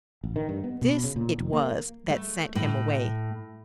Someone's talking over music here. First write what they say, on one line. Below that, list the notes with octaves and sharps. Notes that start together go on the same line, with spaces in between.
This it was that "sent him away."
A1
D#3
G2
B3
B2
C#3
A#2
F1
A#3
A3
A2